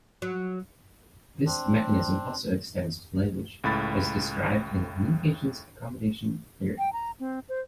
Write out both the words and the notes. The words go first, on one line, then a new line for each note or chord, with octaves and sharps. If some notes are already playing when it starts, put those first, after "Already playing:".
This mechanism also extends to language, as described in the Communication Accommodation Theory.
F#3
C4 D4
C#2 A2 B5 A6
G5
A#5
C4
C5